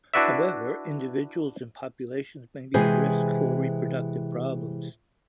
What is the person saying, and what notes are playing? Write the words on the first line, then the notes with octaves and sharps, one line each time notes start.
However, individuals and populations may be at risk for reproductive problems.
D4 E4 F#4 B4 D5 E5
C3 E3 G#3 G#4 C5